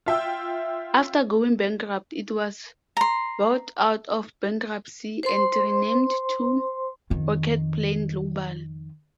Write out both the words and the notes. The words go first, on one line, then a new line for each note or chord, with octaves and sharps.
After going bankrupt, it was bought out of bankruptcy, and renamed to Rocketplane Global.
F4 E5 G5 E6
A#5 C6
C5 C6
F2 D#3